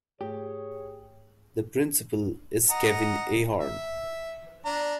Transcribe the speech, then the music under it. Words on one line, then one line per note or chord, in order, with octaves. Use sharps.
The principal is Kevin Ahern.
G#2 A3 G4 G#4 C#5
D#5 F#5 A#5
E5
D4 A#5